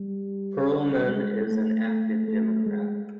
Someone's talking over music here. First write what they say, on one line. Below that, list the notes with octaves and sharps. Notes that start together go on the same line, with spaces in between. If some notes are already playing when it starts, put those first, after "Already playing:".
Perlman is an active Democrat.
Already playing: G3
G#3
A3
A3
A3
G#3